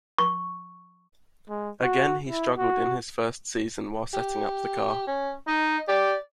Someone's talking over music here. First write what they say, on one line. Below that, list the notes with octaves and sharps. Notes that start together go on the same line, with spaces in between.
Again he struggled in his first season while setting up the car.
C#6
G#3
F#4
E4
F#4
G4
C#4
D#4 D#5
G4 D5